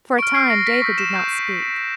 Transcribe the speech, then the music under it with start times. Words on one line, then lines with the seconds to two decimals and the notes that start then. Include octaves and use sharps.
For a time David did not speak.
0.19 C#6 F6 D7
0.34 C7
0.50 C#6 F6 A#6
0.66 B6
0.82 C#6 E6 G6 B6
0.98 E7
1.14 C#6 E6 G6